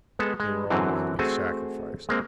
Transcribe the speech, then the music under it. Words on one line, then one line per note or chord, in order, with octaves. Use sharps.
They were all going to be sacrificed.
G#3 B3 A4
G#3
F#2 D3 E3 F#3 C4
A3 C4 F#4 G#4
G#3 A#3 C4